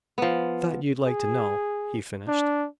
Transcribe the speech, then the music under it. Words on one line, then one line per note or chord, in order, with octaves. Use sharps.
"Thought you'd like to know," he finished.
F3 B3
G#4
D4